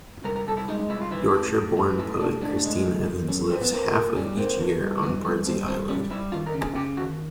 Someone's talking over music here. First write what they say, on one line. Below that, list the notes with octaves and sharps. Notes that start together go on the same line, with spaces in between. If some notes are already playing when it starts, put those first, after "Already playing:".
Yorkshire born poet Christine Evans lives half of each year on Bardsey Island.
C2 A#4
A#4
C2 A4
E4
G#3 D#4
C2 E4
F4
E3 E4
A2
A2
E3
A2 E4
A2 D4
A2 D4
G#3
F#2
F#2
F#2 C#4
E3 C4
B3
A#3 C4
A#2
G3 C#4
A#3 C4
E3
G2
E3 B3
G2 B3
G2 C4
G2 C4
G3 C#4
G3 E4
D#2 F4
A#4
C#3
G#4
C#3 G4
D#2 F#4